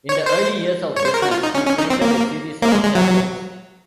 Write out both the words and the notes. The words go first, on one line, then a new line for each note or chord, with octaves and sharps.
In the early years of business, he printed a series of chapbooks.
C#5
C5
C#5
C5
A#4
F#4
F4
D#4
C#4
C#4
D#4
C4
A#3
A#3
G#3
G#3
F#3